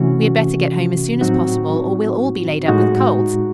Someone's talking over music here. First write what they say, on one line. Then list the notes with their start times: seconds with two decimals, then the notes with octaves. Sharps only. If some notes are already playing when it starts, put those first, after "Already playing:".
"We had better get home as soon as possible or we'll all be laid up with colds."
Already playing: C3 E3 A3 C#4 F#4
1.21 A2 F#3 C4 D#4 F#4
2.68 A2 G#3 D#4 F#4